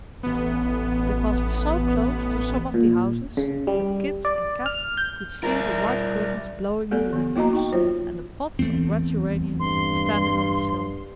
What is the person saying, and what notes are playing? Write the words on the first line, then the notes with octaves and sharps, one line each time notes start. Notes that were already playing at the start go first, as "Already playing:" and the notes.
They passed so close to some of the houses that Kit and Kat could see the white curtains blowing in the windows, and the pots of red geraniums standing on the sill.
A1 B3
A#2
C#3
G3
D5
F6
G6
G3 A#4
A3 B3 G4 A4 D5
D#3 B3
A#3 E4 F#4 D#5 A#5
D#4 G5
F#3 F4 C5 C#5
E2 A3 C4
G2 C6